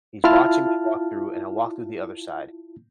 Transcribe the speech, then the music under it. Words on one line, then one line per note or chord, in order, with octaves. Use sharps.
he's watching me walk through, and I walk through the other side,
E4 F4 A5 F6